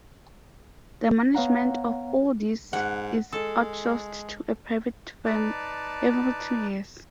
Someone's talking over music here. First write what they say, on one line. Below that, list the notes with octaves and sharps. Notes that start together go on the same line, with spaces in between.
The management of all these is outsourced to a private firm every two years.
B3 C#5 F5 F#5 A#5
G#2 F#5
G#3 A4
D#4 B4 D5 A5